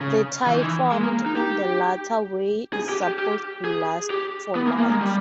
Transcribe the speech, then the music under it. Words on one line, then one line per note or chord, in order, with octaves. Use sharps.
The tie formed in the latter way is supposed to last for life.
C#3
E3
D#3
E3
G#3
A#3
D#4
G4
G#4
G4
G4
G4
G#4
G4
B3
A#3
A#3
G#3
G3